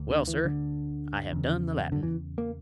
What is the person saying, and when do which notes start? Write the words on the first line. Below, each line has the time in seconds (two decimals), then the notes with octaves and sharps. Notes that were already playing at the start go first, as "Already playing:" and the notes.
"Well, sir, I have done the Latin."
Already playing: D2
0.10 D3
0.28 E3
0.45 D3
1.33 E2 C#3
1.92 D3
2.03 E3
2.38 A#3